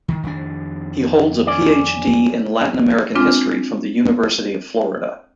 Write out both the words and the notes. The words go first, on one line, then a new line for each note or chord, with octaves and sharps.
He holds a Ph.D. in Latin American History from the University of Florida.
D#3
F2 D#3 D4
C#4 D5
G#3 C4 D4 F4